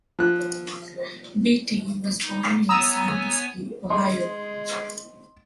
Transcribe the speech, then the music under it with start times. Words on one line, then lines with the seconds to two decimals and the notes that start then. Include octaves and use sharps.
Beatty was born near Sandusky, Ohio.
0.19 F3 F#6
2.22 D#4
2.69 B3 C#5 G#5 A#5 D#6 E6
3.90 G#3 D#5 C6